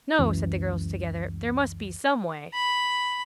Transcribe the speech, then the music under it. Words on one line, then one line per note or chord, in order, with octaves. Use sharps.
'No,' said the girls together, 'there must be SOME way.'
C#2 F#2 E3
B5